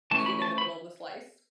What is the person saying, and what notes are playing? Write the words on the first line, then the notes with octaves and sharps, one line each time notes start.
eaten in the middle of the slice.
E3 A3 C#4 A5
B5
A5
B5